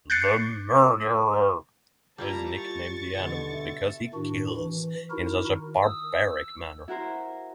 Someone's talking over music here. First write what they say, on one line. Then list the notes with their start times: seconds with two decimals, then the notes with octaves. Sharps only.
The murderer is nicknamed The Animal because he kills in such a barbaric manner.
0.10 F#6 G6 A6 C7 C#7
2.18 G3 A#3 E4 F4 A5 A#5
2.56 C#6 A6
3.15 B2 D3
3.52 E5
4.14 A2 D#3 D4 F#4
4.57 E3
5.10 D#4 E4 F#4 A#4
5.44 D#3
5.82 D#6 E6
6.29 E6
6.88 E4 F#4 A#4 C5